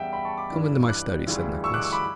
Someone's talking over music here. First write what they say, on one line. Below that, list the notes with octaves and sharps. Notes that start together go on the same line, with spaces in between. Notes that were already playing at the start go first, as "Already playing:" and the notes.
"Come into my study," said Nicholas.
Already playing: E2 C#3 G3 E5 F#5 G5
G5 B5
A5 C#6
B5 D6
G2 E3 G3 D4
D6 F#6
D2 C#3 E3 G3
C#6 E6
D6 F#6
C#6 E6
B5 D6